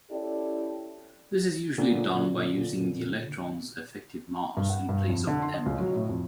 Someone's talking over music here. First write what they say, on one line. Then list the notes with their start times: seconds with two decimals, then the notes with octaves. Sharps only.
This is usually done by using the electrons' effective mass in place of "m".
0.10 C#4 E4 G4 A4 D5
1.78 A#2 D3
4.57 G2
4.70 F#5
4.89 G2
5.10 F2
5.27 D3
5.42 C6
5.54 D#5
5.66 C#2
5.80 F#3
5.96 A2
6.09 F2